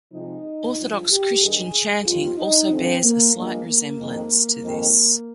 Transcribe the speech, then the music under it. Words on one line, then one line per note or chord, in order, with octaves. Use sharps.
Orthodox Christian chanting also bears a slight resemblance to this.
C3 F3 G#3 D#4
G2 F3 G#3 F4
G4
G2 D#3 G#3 G#4
F2 D#3 G3 F4
D#4
G2 D3 F3 G#3 C4
A#3
G2 F3 G#3 A#3
A#3
F2 D#3 G#3
F2 D#3 G#3